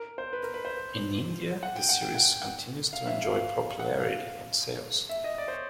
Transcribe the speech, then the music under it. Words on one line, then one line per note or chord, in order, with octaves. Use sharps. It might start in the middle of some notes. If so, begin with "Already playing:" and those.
In India, the Series continues to enjoy popularity and sales.
Already playing: A#4
C5
B4
A#4
B4
C5
F#5
G5
F#5
G5
F#5
G5
F#5
F5
E5
F5
F5
F#5
F5
E5
D#5
D5
C5
C#5